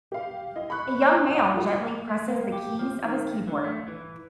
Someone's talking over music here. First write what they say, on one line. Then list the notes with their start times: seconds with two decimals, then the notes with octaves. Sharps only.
A young male gently presses the keys of his keyboard.
0.12 G4 F5
0.56 E4 D#5
0.70 B5 C#6 F#6
1.01 E6
1.30 A#1 F#5
1.54 F#3 E4 F4 G4
2.08 A3
2.28 A#3
2.52 G4
2.79 F3
3.03 D#3
3.32 G2
3.48 D3
3.64 A3
3.88 E3